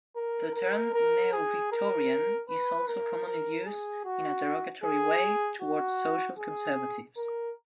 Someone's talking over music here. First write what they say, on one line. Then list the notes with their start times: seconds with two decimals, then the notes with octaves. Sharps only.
The term Neo-Victorian is also commonly used in a derogatory way towards social conservatives.
0.16 A#4
0.55 A#4
0.94 A#4
1.33 G#4
1.72 A#4
2.49 B4
2.88 A#4
3.27 A#4
3.66 G#4
4.05 F#4
4.84 G#4
5.62 F#4
6.39 G#4
7.17 A#4